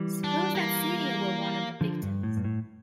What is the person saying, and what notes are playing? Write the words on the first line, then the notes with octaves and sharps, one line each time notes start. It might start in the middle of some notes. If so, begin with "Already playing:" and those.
Suppose that Celia were one of the victims?
Already playing: E3 G3
D4
A#3
D3 F3
G2
A2
G2
A2